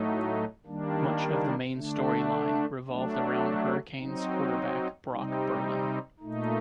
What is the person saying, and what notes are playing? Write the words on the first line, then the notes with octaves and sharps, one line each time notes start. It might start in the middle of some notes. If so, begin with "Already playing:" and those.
Much of the main story line revolved around Hurricanes quarterback Brock Berlin.
Already playing: A2 F#3 A3 D#4
D#3 G3 A#3 D4
D3 A3 D4
F#3 A3 D4
F#3 C4 D#4
C3 G3 C4 D#4
A#2 A3 D#4